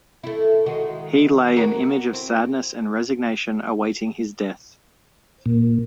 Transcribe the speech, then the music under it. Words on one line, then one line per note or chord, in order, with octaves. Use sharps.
He lay an image of sadness and resignation awaiting his death.
A3 E4
D#3 G#3 F#4
F#4 G#4 A#4
C4 E4
A#2